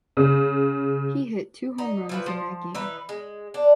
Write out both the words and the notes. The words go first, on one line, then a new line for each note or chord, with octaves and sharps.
He hit two home runs in that game.
C#3
D#4
E3 F3 B4
F3
E3 D#4 B4
G#3
D4